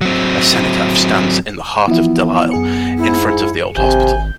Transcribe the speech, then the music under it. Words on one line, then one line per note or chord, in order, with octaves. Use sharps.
A cenotaph stands in the heart of Delisle in front of the old hospital.
F#3 C4
E3 F3 B3 E4
F#2 G#4 C#7
G#2 E4
G#1 C3 G#5 G6